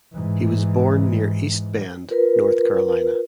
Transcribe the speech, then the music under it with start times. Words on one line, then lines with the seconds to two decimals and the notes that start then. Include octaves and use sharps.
He was born near East Bend, North Carolina.
0.14 G#2 E3
2.10 F4 A#4 B4